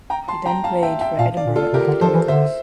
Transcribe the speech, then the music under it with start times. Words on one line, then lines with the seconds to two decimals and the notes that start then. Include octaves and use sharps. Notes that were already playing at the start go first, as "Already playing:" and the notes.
He then played for Edinburgh Academicals.
0.10 G5 A#5
0.28 A5 C6
0.46 G5 A#5
0.64 F5 A5
0.83 E5 G5
1.01 E5 G5
1.19 A#2 F5 A5
1.37 D5 F5
1.46 A#2
1.55 F4 A4
1.73 C3 G4 A#4
1.87 D3
2.01 F3 A4 C5
2.15 E3
2.28 D3 C5 E5